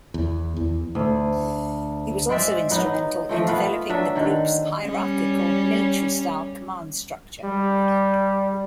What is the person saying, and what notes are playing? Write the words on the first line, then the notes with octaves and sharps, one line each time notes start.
He was also instrumental in developing the group's hierarchical military-style command structure.
E2
E2
D2
G#3 C4 D5 E5
F#3 B3 D#4
F3 A3 C4
B3 F4
F#3 D4 E5
D3 D#3
G3 C#4
G3